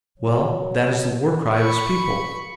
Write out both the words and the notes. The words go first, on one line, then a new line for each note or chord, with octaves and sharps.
Well, that is the war-cry of his people.
F#3
B5 C#6